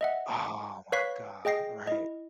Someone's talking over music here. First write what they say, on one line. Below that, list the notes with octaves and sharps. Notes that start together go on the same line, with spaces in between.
Oh, my god, right.
D#5 E5 F#5
B4 C#5 F5 C#6 F#6 B6
G#4 D#5 G5 A#6 C7
E4 D#5